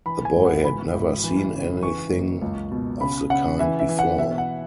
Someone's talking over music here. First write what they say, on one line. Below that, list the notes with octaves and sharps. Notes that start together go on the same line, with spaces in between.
The boy had never seen anything of the kind before.
E3 B5
G#5
G#1
F#5
E3 B5
G#1
E3
C#3
E3 C#6
F#1
C#2
B2
C#3 B5
C#3 F#5
E3 E5
E5
E3
F#5
B2 E5
F#5